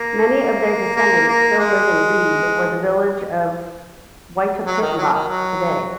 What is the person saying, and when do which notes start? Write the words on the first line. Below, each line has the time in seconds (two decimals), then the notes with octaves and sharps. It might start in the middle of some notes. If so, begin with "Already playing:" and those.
Many of their descendants still live in Reed or the village of Wytopitlock today.
Already playing: A#3
0.96 A#3
1.27 A#3
1.58 G#3
4.66 F#3
4.81 D#3
4.97 F#3
5.13 D#3
5.28 F#3